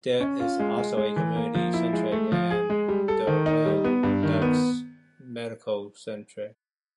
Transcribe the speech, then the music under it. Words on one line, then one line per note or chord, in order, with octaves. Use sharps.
There is also a community centre and the Royal Docks Medical Centre.
C#4
F4
G#3
G#3
G#3
E3
A#3
F3
E4
G#3
A3
F3
G#4
G#3
G3
A4
D#3
D#4
G3
B3
G2
D#3
B3